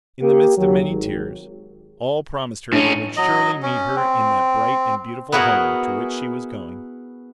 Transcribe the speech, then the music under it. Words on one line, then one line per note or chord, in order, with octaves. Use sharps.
In the midst of many tears all promised her they would surely meet her in that bright and beautiful home to which she was going.
A#3 G4
D#2 F#3 G4
G#1
A2 C#4 D4
F#3 D#5
C#4
C4
B3 E4 F#4 G#4 A#4